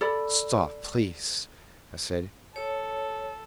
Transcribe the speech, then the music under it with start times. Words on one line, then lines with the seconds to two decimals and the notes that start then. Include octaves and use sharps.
"Stop, please," I said.
0.01 A4 D5 B5
2.56 A4 C#5